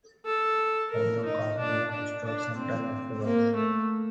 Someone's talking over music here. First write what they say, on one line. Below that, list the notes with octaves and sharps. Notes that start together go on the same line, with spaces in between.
Dundrum Castle was destroyed sometime afterwards.
A4
A#4
D#4
D4
D4
D4
C4
A#3
A3